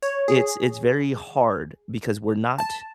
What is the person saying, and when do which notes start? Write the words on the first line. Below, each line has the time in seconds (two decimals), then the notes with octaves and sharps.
it's it's very hard because we're not
0.02 C#5
0.28 G#4
2.58 A5